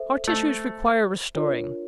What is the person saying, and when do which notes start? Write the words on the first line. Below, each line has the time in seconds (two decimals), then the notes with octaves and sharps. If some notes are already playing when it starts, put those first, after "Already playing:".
Our tissues require restoring.
Already playing: A4 C5 E5
0.28 A3
1.35 D4 F4 A#4 C#5